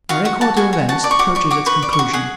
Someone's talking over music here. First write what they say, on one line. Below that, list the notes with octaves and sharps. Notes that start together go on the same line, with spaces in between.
MY record of events approaches its conclusion.
F#4 F5
F#4 F#5
F#4 A5
F#4 G#5
F#4
F#4 A5
D5
C#6
F#4 D6
D5 C#6
F#4 D6
B4 C#6
D5
C#6
F#4
G#4 F#5